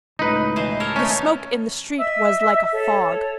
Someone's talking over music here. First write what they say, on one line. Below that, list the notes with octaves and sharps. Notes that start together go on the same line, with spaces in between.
The smoke in the street was like a fog.
C#2 A2 D#4 B4
B2 E3 C5
A4 A#4 C#5
A3 C#4 D#4
D#5 E5 E6
A4 C#5